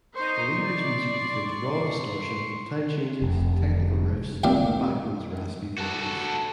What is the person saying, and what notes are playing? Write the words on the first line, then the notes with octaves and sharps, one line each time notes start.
Believer's music includes raw distortion, time changes, technical riffs and Bachman's raspy vocals.
D#4 C5 C6 C#6
D5
F1
G2 A#2 D#3 C4 D4 F5
F#4 A4